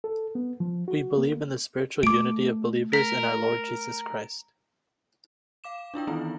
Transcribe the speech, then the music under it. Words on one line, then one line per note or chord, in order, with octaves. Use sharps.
We believe in the spiritual unity of believers in our Lord Jesus Christ.
A4
B3
F3
F#4
A#3
A3 D6 D7
A#4 B6
F5 D6 E7
D4 E4 F4 G5
D#3 E3 B3 C4 D#4 E4